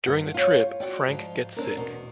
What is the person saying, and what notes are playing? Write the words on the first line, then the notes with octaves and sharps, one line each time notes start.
During the trip, Frank gets sick.
G2 F#5
F4 G4 C#5
F#4 D5 G5
G#2 F3
C4 D4 A#4
E2 B2